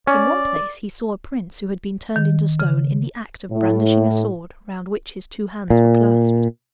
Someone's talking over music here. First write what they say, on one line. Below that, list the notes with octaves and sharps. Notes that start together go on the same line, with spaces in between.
In one place he saw a prince who had been turned into stone in the act of brandishing a sword round which his two hands were clasped.
C#4 D5
D#3
C#3
A2
A#2